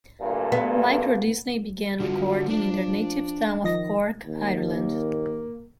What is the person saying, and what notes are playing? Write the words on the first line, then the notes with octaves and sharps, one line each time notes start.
Microdisney began recording in their native town of Cork, Ireland.
D2 G2 A#2
B3
D3 G3 F4 F#4
F3 D4 D5
D#3 F3 D#5 A#6
D#2
A#3